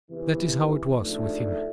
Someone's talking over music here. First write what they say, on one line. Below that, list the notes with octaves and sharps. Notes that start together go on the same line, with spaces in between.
That is how it was with him.
E2 C3 E3
G#2 F3 A3 D4